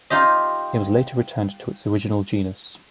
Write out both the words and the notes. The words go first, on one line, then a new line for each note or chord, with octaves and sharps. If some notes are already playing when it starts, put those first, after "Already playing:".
It was later returned to its original genus.
D#4 F4 G4 D#5